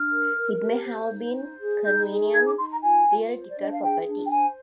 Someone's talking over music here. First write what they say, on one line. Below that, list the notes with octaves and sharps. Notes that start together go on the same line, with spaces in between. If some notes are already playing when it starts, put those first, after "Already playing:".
It may have been convenient theatrical property.
Already playing: D4 F6
A#4
A#4
G4
C5
D#4
C5
G#4
D#4 G6
G#4
D#4 G#6
D6
D#4 C6
A#5
F4 G#5
F4
C5
D5
D4 D#5
F5
G#4 G5
D4
G5
C5 G#5